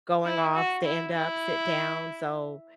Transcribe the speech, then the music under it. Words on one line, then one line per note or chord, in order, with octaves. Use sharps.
going off, "Stand up, sit down." So,
E4
F#4
E4
E4